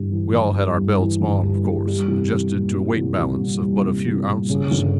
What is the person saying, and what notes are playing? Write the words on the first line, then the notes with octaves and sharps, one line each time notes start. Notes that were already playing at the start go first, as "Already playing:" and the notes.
We all had our belts on, of course, adjusted to a weight balance of but a few ounces.
Already playing: G1 G2 E3 G3
E3
G1
G3
G2
E3
G1
G3
G2
G3
C2
C2
A#2
G3
C2
C2
A#2
G3
C2
C2
A#2
C#3
G1